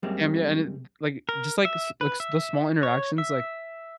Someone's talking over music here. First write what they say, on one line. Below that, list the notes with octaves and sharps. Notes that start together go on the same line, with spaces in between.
Damn, yeah, and it like, just like s like, the small interactions, like,
F#2 G3 G#3 A#3 C4
A#4
E5
B4
E5
C#5
E5